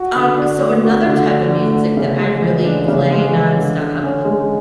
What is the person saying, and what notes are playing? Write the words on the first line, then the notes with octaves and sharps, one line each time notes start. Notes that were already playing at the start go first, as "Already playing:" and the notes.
D um, so, another type of music that I really play nonstop,
Already playing: F#4
D3
D4
A3
F#4
D3
D4
A3
D4
C#3
G#3
E3
D4
C#3
G#3
E3
D3
D3
C#4
G#3